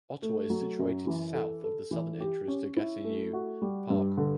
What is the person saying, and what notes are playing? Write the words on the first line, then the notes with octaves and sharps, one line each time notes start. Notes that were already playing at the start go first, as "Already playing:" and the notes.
Ottawa is situated south of the southern entrance to Gatineau Park.
A3
F#3
F#2
E3
A4
A4
E3
G4
C#4
E4
A3
F#4
G3
G2
D3